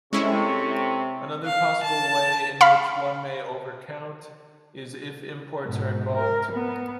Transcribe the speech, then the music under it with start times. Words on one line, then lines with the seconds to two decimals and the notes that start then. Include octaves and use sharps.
Another possible way in which one may over count is if imports are involved.
0.13 C3 G#3 C#4 E4 A4 C#5 C#6
1.45 F5
1.84 A5
2.61 F5 B5
5.65 G#2 B2
6.16 A#4
6.52 B3